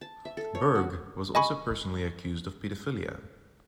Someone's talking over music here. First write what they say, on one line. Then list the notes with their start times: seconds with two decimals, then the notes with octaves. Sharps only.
Berg was also personally accused of pedophilia.
0.01 A5
0.25 E5
0.37 A4
0.55 C#5
0.75 F#4
1.35 D#5 G#5 B5 C#6